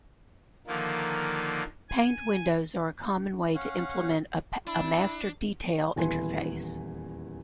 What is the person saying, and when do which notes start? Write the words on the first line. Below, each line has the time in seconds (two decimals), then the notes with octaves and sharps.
Paned windows are a common way to implement a master-detail interface.
0.67 D3 D#3 F3 A#3
1.89 G#5
3.55 C#4 C#5 F5 F#5
4.67 D4 E4
5.96 D#1 E2 E4 B4 G#5 C6